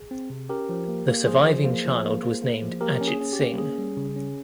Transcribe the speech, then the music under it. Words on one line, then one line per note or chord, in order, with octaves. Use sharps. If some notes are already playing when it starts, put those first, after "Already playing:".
The surviving child was named Ajit Singh.
Already playing: G#4
C4
C3
C#4 G4 A#4
F3
A#3
A#3
F3 G#4 C5
F3
A#3
F3
A#3
A#3
A#3
F3
A#3 G4 A#4
C#4
G#4
C#4
G4
A#3
C#4 G#4
G3
C#3
C#4